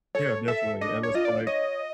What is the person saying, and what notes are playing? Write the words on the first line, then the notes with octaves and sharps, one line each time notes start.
Yeah, definitely, and it's like
A4 C#5
A4 E5
D4 D#5
C#5
F4 D#5
D5
C#5 D#5